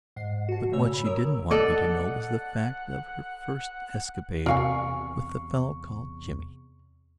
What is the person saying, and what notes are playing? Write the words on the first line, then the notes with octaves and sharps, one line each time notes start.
But what she didn't want me to know was the fact of her first escapade with the fellow called Jimmy.
G#2 F#5 C7
F#4 A5
G2 A#2 C#3 A3 C#5 E6
B5
A#4 C#5 A#5 D#6 E6
A4 D5 D#5 F#5
E2 C3 A#4 F5 G#5 C#6